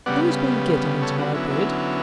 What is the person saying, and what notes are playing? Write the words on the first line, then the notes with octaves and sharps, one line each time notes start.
"Who has been getting into my bed?"
C#3 G3 B3 D5 F#5
A4 C#5
D4 F#4
D3 F#3 B3 C#4 E4
C#4 E4